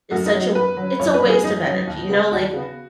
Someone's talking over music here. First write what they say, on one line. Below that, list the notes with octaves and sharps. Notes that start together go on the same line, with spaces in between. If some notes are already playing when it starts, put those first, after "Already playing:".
is such a it's a waste of energy, you know? Like,
F#2 F#4
D#4
F#3 C#4
F#4
F#2 B4
F#3
C#4
F#2 C#5
B4
F#3 C#4
G#4
F#2 D#4
F#3 C#4
D#2
C#3 B3
D#2 F#4
C#3 B3